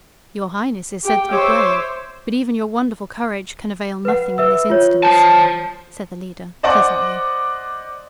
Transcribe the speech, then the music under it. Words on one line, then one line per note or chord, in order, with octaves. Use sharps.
"Your highness is said to be brave, but even your wonderful courage can avail nothing in this instance," said the leader, pleasantly.
G4 G5
C5 C#5 E5 D6
B4 F#5
B4 E5 E6
F4 C#5
C5 A5
C5 D5 D#5 F#5 D6